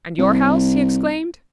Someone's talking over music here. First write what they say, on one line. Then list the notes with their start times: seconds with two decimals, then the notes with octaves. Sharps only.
"And your house?" he exclaimed.
0.18 C2